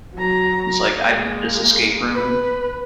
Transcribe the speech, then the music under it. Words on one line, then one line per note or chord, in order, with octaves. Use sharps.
That's like, "I beat this escape room."
F#3 A#5
G#3 A#3
B4